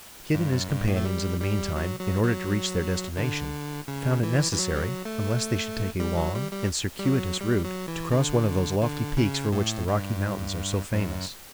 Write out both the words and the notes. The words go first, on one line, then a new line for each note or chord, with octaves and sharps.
Kit and his companions in the mean time, in order to reach their destination, found it necessary, unless they should take a long and circuitous route, to cross one of those lofty peaks for which the Rocky Mountains are so famous.
G2
F#2
G2
A2
A3
G3
G3
F#3
F#3
F#3
D3
C#3
E3
E3
F#3
G3
F#3
A3
G3
F#3
G3
G3
G3
F#3
G3
F#3
E3
D3
D3
C#3
A2
G2
F#2